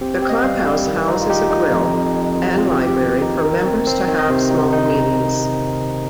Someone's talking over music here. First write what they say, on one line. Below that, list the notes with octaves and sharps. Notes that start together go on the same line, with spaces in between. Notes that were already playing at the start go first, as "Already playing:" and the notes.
The Clubhouse houses a grill, and library for members to have small meetings.
C4 G4
G4
C4
D#5
G3 F5
G3
D#3
D#4
F4
D#4 G4
D#4
F2
F2
F2
F2
C4 F4
G4
D#4
G4
D#3
D#4
D#3 A#4
C4
C4
D#3
D#5
C3 C5
D#4
D#4